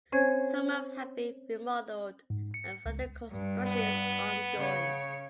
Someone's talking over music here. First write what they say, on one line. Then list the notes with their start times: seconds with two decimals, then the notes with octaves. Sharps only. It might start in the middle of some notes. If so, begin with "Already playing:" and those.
Some homes have been remodeled, and further construction is ongoing.
0.12 C4 C#4 C5 C#5 G#5 G#6
2.30 G#2
2.54 C#7
2.86 C#2
3.31 G2
3.63 B3
4.53 C#3 C#5